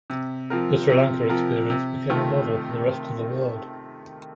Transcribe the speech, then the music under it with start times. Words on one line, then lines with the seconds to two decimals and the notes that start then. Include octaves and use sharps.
The Sri Lanka experience became a model for the rest of the world.
0.10 C3
0.50 F3 C4 F4 A#4
0.89 C3
1.29 F3 C4 F4 A#4
1.70 C3
2.10 D#3 A3 C4 F4